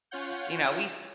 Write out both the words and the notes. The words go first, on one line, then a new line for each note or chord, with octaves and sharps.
you know, we s
C#4 F4 C#5 F#5 G6